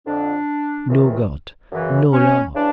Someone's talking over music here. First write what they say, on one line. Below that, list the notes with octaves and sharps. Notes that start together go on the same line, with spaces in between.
No God! no Love!
F2 D3 D4
C#2 C3 D#3
F#2 C#3 E3
C#4
C#3 E3 D4